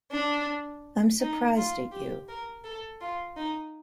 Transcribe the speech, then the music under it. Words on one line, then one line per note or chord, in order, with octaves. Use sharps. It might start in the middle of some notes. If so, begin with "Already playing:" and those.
I'm surprised at you.
D4
D#4
F4
G4
A#4
A4
F4
D#4